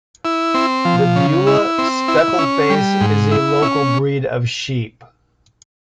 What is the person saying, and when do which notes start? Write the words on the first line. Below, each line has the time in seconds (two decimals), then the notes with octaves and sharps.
The Beulah Speckled Face is a local breed of sheep.
0.25 E4
0.54 C4
0.85 F3
1.16 C#3
1.47 E4
1.78 C4
2.08 E4
2.39 C#4
2.70 G3
3.01 G#2
3.31 E4
3.62 C#4